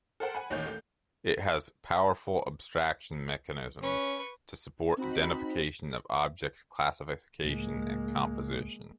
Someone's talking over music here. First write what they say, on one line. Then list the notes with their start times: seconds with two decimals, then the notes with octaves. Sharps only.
It has powerful abstraction mechanisms to support identification of objects, classification and composition.
0.20 A4 A#4 C5 F#5 G5
0.35 F#5 G#5 B5
0.50 A1 D#2 A#2 D#4 C#5 G6
0.66 A3
3.83 C#4 B4 C#6
4.97 C4 D#4 F#4 B5
7.44 C#2 A2 G#3 A#3